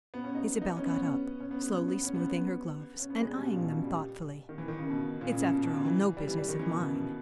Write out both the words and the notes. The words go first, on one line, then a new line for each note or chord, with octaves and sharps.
Isabel got up, slowly smoothing her gloves and eyeing them thoughtfully. "It's after all no business of mine."
B3
C#4
D#4
D#4
C#4
B3
C#4
C#4
B3
B3
C#4
B3
C#4
B3
C#4
B3
C#4
B3
G#3
G3
B2
C#3
A#2
B2
C#3
G3
D#3
E3
D#3
C#3
B2
A#2
C#3
C#3
B2
B2
C#3
E3
G3
E3
G3
D#3
E3
B2
C#3
B2